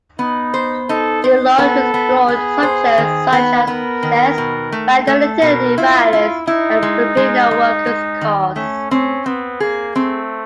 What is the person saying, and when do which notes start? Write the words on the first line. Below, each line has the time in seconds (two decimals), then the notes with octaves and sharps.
De Leon explored subjects such as incest, fraternity violence, and the Filipino workers' cause.
0.19 B3 D#4
0.54 C5
0.89 D#4 A4
1.24 C5
1.59 B3 A4
1.94 B3
2.28 B3 G#4
2.63 C5
2.98 D#3
3.32 B3
3.67 B3 A#4
4.03 D#3
4.38 B2
4.72 A3
5.07 A3 A4
5.42 B2 A#4
5.77 E4 F4
6.13 E4
6.47 D#4 E4
6.83 G#3
7.17 G#3
7.51 G#3
7.87 G#3
8.21 D#3
8.56 A3 C#4
8.91 C4 C#4
9.26 B3 C4
9.60 A#3 G#4
9.96 A3 C4